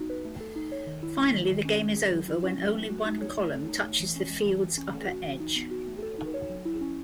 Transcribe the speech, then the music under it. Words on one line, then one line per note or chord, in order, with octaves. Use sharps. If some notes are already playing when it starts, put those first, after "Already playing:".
Finally, the game is over when only one column touches the field's upper edge.
Already playing: B3 D#4 F#4
B4
A3
A4
D#4
C#5
D#3
E4
A3
D#3
D#3
C#4
G#3
G#4
F#3
E4
C#4
F#3
A3
F#4
D#4
C#5
A3
A4
D#4
A3
E3
C#4
G#3
E3
E3
C#4
A3
F#4
E3
D#4
B3
F#4
A3
A4
D#4
C#5
F#3
E4
C#4